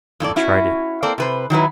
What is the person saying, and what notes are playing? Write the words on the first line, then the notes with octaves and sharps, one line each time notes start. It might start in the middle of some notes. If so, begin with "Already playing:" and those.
I tried it.
F2 A2 A4 D5
C#4 E4 F#4
A#3 C4 A4 D5
C3 B4 C5
D#3 F#3 E4 B4